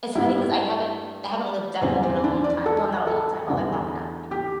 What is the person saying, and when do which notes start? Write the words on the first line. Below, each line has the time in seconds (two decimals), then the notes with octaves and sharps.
it's funny 'cause I haven't I haven't lived at home in a long ti well, not a long time, but, like, long enough,
0.15 G2 G3 E4
1.81 E2 D3 G3 C4
2.03 C4
2.24 D4
2.44 D5
2.66 A4
3.07 A4
3.48 E2 D3 G3
4.31 G4